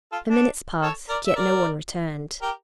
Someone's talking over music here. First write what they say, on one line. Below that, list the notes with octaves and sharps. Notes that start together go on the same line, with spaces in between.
The minutes passed, yet no one returned.
F4 A4
D4
A4 C#5
A#4 D5
E5
A#4 D5
G4 A#4